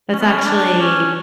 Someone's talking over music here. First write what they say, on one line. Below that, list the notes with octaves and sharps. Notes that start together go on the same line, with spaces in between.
that's actually
C#4
B3
C#4
D4
C#4